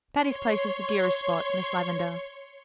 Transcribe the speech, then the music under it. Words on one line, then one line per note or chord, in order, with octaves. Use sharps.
Patty's Place is the dearest spot, Miss Lavendar.
C#5 C6 C#6